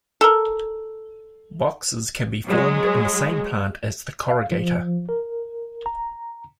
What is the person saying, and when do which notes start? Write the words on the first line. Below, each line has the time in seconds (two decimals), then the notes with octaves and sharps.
Boxes can be formed in the same plant as the corrugator.
0.21 A4 A#4
2.47 F#3 G#3
4.30 F5
4.52 F3
5.09 A#4
5.86 A#5